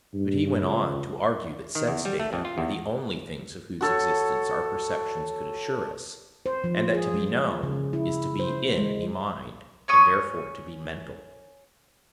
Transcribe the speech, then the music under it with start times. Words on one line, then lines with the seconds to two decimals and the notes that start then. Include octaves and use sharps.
But he went on to argue that sense-data were the only things of whose existence our perceptions could assure us; and that to be known is to be 'in' a mind, and therefore to be mental.
0.14 G2
0.62 C#2
1.75 D#3
1.87 E2
2.05 G3
2.20 A3
2.33 F2
2.45 F4
2.58 E2
3.81 F#4 A4 C#5
6.46 C5
6.64 F3
6.94 G#4
7.14 G#3
7.63 C#3
7.93 E4
8.39 C5
8.78 G#3
9.88 C#4 C#6 D#6